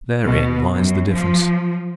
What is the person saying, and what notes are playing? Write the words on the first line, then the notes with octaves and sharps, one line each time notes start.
Therein lies the difference.
B2
F#2
F3